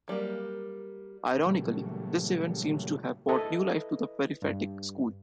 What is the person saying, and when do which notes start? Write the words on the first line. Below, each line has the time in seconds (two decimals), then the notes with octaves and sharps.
Ironically, this event seems to have brought new life to the Peripatetic school.
0.08 F#3 G3 A3 A#3
1.46 A#2 C#3 E3 F#3 G3 A3
3.29 E4 A4 B4 D#5
4.42 G2